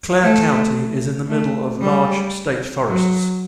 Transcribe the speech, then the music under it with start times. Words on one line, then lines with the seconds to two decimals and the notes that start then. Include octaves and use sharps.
Clare County is in the middle of large state forests.
0.22 A3
1.29 A3
1.81 G3
2.87 F#3